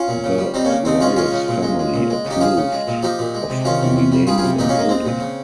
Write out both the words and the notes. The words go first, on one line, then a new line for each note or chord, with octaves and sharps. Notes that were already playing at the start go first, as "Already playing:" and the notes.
The Rios family approved of renaming a building.
Already playing: C#4 F4
A#2
C#3
G3
G3 C4 D#4
A#3 C#4
C#3
C#3 C4 D#4
G#3 C#4 F4
G#3 C#4 F4
C#3
A#2
G#3
G#3
A#2
G#3
C#3
D#4 G4
F3 F4 G#4
C#3
G#3
A#2
F3 D#4 G4
A#2
G#3
C3
D#3 C#4 F4
C3
C3
G3
G3 F4 G#4
F4 G#4
C3
A#2 D#4 G4
C#4 F4
G#3 A#3
G#3 C4
A#2
C#3